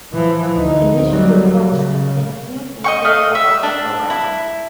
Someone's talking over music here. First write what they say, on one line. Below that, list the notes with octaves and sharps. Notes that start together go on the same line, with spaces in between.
Initial reports contained few details about the program.
E3 F3
D2 D#4
F#3 G3
C#3
D#5 G5 C#6
A3 D#5 F5
E5
D4
E4